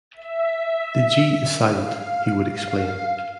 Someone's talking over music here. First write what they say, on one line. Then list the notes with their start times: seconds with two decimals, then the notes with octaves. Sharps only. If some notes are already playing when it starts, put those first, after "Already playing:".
The "G" is silent, he would explain.
0.12 E5
1.69 F5
2.47 F5